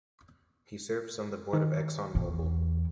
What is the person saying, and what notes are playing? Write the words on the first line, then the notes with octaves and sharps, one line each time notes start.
He serves on the board of ExxonMobil.
D#3
E2